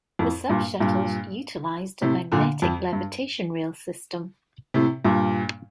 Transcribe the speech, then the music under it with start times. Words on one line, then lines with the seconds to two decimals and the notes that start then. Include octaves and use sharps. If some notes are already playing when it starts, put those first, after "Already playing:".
The Subshuttles utilized a magnetic levitation rail system.
0.19 F2 A2
0.49 G2 A#2
0.80 G2 A#2
2.02 A2 C3
2.32 A#2 D3
2.62 F2
2.93 G2
4.74 A2 C3
5.05 G2 A#2